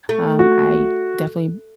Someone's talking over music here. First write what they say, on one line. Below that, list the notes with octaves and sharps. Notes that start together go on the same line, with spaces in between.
um, I definitely
A3
F#4